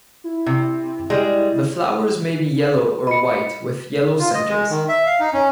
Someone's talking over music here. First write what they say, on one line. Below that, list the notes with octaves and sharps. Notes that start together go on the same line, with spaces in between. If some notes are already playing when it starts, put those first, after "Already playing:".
The flowers may be yellow or white with yellow centers.
E4
C3
G3 G#3
D#5 B5 C#7
F4
D#5
G#3
D#3
E5
F5
D#4
C#4